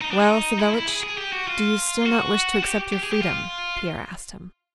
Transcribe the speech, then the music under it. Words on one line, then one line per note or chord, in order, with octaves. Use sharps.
"Well, Savelich, do you still not wish to accept your freedom?" Pierre asked him.
D#4
D4
D#4
E4
E4
G#4
G#4
G4
F#4
F4
F#4
G4
G4
G#4
G4
F4